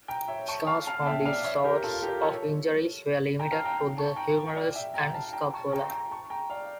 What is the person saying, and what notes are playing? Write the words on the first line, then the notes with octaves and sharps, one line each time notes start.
Scars from these sorts of injuries were limited to the humerus and scapula.
G5 A#5
C#5 E5
A5 C#6
F5 A5
F5 A5
A5
E5 G5
D5 F5
C#5 E5
G4 A#4
F4 A4
G4 A#4
A4 C#5
G5 A#5
F5 A5
G5 A#5
G5 A#5
A5 C#6
G5 A#5
G5
D5 F5
E5 G5
G5 A#5
F5 A5
G5 A#5
A5 C#6
G5 A#5
G5 A#5
A5 C#6
G5 A#5
D5 F5